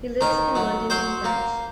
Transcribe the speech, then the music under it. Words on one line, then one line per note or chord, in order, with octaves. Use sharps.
He lives in London and France.
D#3 A#4
F#3
F#3 C5
A#3